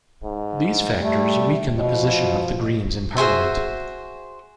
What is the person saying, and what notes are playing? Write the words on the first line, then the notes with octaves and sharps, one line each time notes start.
These factors weakened the position of the Greens in Parliament.
G#2
G3 A3
B2 F3
F#4 G#4 C5 E5